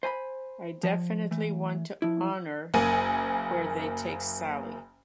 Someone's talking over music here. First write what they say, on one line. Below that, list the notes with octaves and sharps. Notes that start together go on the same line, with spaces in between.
I definitely want to honor where they take Sally.
C5 G#5 A#5 B5
F3
E3 A3
F3 E4
F#1 A#3 G#5 D#7